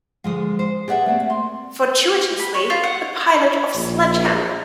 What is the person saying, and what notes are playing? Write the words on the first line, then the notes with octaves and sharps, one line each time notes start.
Fortuitously, the pilot of Sledge Hammer!
D3 F3 G#3 F5 D#6
C5
G4 G#4 B4 D5 E5 F#5
A3 A#3 C4
C6
B5
C#5
F4
F#5
A#1